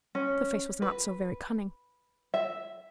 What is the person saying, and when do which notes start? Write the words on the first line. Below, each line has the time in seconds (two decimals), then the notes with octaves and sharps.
The face was not so very cunning.
0.15 C#4
0.82 B4
2.34 E5